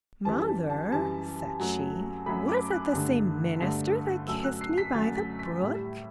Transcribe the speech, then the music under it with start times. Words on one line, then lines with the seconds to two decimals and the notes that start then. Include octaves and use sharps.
"Mother," said she, "was that the same minister that kissed me by the brook?"
0.25 F#2 E3 G3 A5
0.47 A5
0.70 A5
0.92 F#2 E3 G3 A5
1.59 F#2 F#3 A3
2.26 F#2 F#3 A3 B5
2.49 D6
2.71 F#6
2.93 G2 D3 A3
3.60 G2 D3 A3
4.27 F#2 F#3 A3 E6
4.44 F#6
4.61 C7
4.78 B6
4.95 F#2 F#3 A3 A6
5.17 B6
5.39 B6
5.61 A2 G3